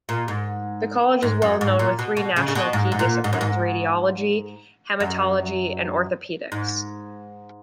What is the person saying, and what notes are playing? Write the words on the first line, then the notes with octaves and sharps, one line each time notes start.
The college is well known with three national key disciplines: radiology, haematology and orthopaedics.
A#2
G#2
G#2
F#2
G#2
A#2
B2
B2
C#3
C#3
B2
G#2
G#2
A#2
G#2
F#2
G#2
F#2
G#2